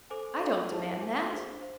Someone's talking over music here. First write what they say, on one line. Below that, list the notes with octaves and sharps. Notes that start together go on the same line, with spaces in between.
I don't demand that.
A4 C5 G#5 D6
F4 A4 D5
E4 G#4 C5 E5 A5
A4 E5 G#5 D6
D4 G#4 C5
C5 F5